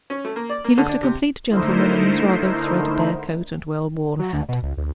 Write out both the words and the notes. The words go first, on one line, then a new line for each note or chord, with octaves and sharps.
He looked a complete gentleman in his rather threadbare coat and well-worn hat.
C#4
A3
A#3
D5
A#3
D3
D4
C3
D3 A3 D#4 E4 A#4 C5
F#3
D2
B2
C#2
D2